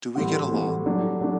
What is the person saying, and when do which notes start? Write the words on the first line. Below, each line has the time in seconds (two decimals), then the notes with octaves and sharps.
Do we get along?
0.15 A2 E3 G3 C4 F#4
0.51 A2 E3 G3 C4 F#4
0.86 F#3 A3 D4 G4
1.21 F#3 A3 D4